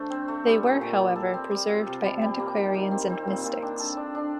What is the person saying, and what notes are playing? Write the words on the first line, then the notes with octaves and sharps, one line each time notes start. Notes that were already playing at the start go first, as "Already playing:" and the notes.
They were, however, preserved by antiquarians and mystics.
Already playing: D3 A3 C5
C4
A3
G3
A#2
A#2
G3
A4
C4
G3
F4
C3
G3
G3
A#3
D#3
D#3
C4
C4
A#2
A#2
D4
A4
D4
D4